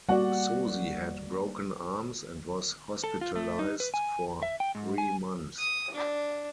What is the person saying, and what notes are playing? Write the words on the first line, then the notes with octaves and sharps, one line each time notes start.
Suzy had broken arms and was hospitalized for three months.
G3 A#3 F#4 D5 F#5
A4
F4
A3
D#4
B4
G#5
E5
G5
G#2
G#5
D#6
D4